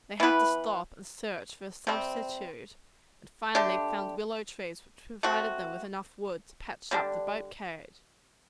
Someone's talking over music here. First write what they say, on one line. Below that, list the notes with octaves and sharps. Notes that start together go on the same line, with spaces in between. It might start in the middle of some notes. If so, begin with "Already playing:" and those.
They had to stop and search for a substitute, and finally found willow trees, which provided them with enough wood to patch up the boat-carriage.
E3 B3 E4 B4
C3 G3 C4
D3 A3 D4 G4
A3 C4 F#4
D3 G3 D4